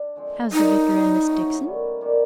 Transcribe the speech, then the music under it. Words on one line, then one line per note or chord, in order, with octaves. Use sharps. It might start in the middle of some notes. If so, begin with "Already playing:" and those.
How's the Vicar and Miss Dixon?
Already playing: D4
D3 F3 G#3 C4
F#3 A#3 D4 D#4
G3 C4 E4
F#3 A3 C#4 F#4
D#3 G3 B3
D#3 G3 A#3 D4